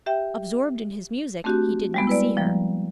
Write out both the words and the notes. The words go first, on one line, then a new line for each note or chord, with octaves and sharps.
Absorbed in his music, he did not see her.
G4 E5 G5
A3 C4 D4 F#4 G4
G3 G#3 B3
E4 B4 D5
F3 G3 A#3